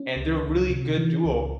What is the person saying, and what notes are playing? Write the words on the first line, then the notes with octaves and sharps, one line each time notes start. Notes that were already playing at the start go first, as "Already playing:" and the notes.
and they're a really good duo,
Already playing: C#4
C#2
C#2
C3
E3
C#2